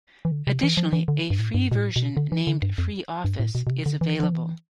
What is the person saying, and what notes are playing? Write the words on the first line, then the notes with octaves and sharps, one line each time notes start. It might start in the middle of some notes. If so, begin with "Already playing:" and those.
Additionally, a free version named FreeOffice is available.
E3
D3
C3
E3
F3
E3
D3
G2
A2
G2
B2
A2
B2
D3
E3
D3
G2
F2
G2
A2
B2
B2
C3
D3
E3
F3
E3